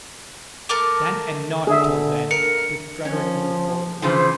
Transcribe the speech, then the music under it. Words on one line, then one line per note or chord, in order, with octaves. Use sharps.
Then and not till then did Frederick move forward.
A3 A#4 D6
D3 G#4 E5
A#4 C#7
F3 C#4
C#3 E3 F3 C5